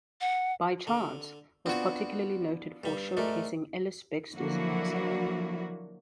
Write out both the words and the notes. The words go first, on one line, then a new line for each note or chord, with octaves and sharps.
"By Chance" was particularly noted for showcasing Ellis-Bextor's accent.
F#5
D3
B3 C4 D4 F4 F#4
G2 G3
G#2 A3 A#4 D5
D3 F3 F#3 A#3 E4 F#4